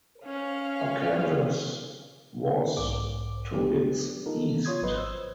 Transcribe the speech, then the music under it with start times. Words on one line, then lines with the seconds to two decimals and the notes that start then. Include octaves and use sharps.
Arkansas was to its east.
0.24 C#4 F5
2.77 B1 G#2 D6
3.54 F#3 G#3 A3 B3 D4 G4
4.26 D#4 F4 A4 A#4
4.65 F4 C#5 C6 D#6 G#6
4.82 G#1 F#3 B4 D#5 C6 D#6
4.96 C5 E6